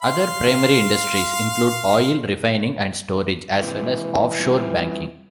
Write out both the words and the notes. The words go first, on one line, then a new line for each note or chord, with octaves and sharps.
Other primary industries include oil refining and storage, as well as offshore banking.
F5 C6
G#2 C3 E3
G3 C4 F4